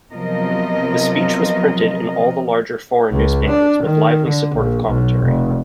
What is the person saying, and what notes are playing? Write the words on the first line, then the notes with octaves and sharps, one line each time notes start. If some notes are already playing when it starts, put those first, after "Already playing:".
The speech was printed in all the larger foreign newspapers with lively supportive commentary.
C3 F3 F#3 B3 A#4 D#5
C#2
D4
D#3
D3
A#1
B1
F1